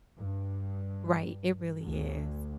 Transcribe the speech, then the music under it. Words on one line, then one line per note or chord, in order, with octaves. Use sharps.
Right, it really is,
G2
D2